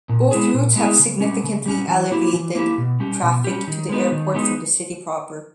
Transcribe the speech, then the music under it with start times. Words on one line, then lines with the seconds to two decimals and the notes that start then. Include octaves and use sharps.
Both routes have significantly alleviated traffic to the airport from the city proper.
0.09 A#2
0.31 G#3 B3 E4 G#4
0.53 A#2
0.76 G#3 B3 E4 G#4
0.99 C#3
1.20 G3 C#4
1.43 C#3
1.66 G3 C#4
1.88 E3
2.11 A#3 E4 G4
2.33 E3
2.55 A#3 E4 G4
2.78 B2
3.00 G3 C#4 G4
3.22 B2
3.44 G3 C#4 G4
3.68 D#3
3.89 G#3 B3 D#4
4.12 D#3
4.34 G#3 B3 D#4